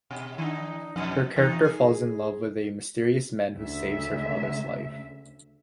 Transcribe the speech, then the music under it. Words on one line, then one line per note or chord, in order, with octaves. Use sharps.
Her character falls in love with a mysterious man who saves her father's life.
B2
D#3 D4 D#4
F2 B2
E2 B2 D#4
G#4
D2 C#3 E5